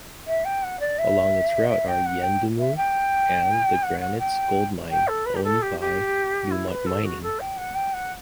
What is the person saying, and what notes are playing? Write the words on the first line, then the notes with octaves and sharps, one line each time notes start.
Along its route are Yuendumu and The Granites gold mine owned by Newmont Mining.
E5
G5
F#5
D5
E5
E5
G5
F#5
G5
E5
G5
F#5
F#5
G5
G5
A4
B4
G4
A4
G4
G4
E4
B4
A4
F#4
A4
G5
F#5
G5
F#5